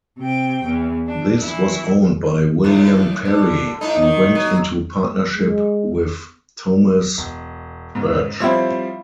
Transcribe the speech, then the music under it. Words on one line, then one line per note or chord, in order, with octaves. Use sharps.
This was owned by William Perry, who went into partnership with Thomas Urch.
C3 G5
E2
D4
E3 E4
D#2 A2
D3
A2 D#4
D#3
F#3
G#3
E1
G#2 C#3
F3 G3 C4 E4 F4 C#5